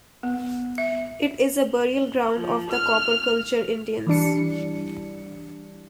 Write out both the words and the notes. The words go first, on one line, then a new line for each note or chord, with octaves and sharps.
It is a burial ground of the Copper Culture Indians.
B3
E5
F3
F6
E3 G3 D4 C#7